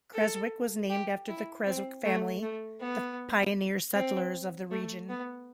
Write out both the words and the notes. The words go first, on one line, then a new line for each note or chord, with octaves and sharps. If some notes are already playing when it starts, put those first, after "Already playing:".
Creswick was named after the Creswick family, the pioneer settlers of the region.
A4
G4
E4
C4
A3
A3
B3
C4
A3
B3